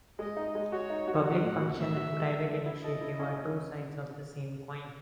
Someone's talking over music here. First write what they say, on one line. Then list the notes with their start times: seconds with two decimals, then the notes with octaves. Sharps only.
Public function and private initiative are two sides of the same coin.
0.19 G#3 D#5
0.37 D#4
0.55 G#3
0.72 F#4 C#5
0.90 D#4
1.07 F#4
1.25 F#4 F#5
1.43 A2
1.60 F#4
1.78 A2 E5
1.96 F#4
2.13 G#3
2.31 A4
2.48 A4
2.66 E4
2.83 A4 D#5
3.01 E4
3.19 C#4
3.36 C#4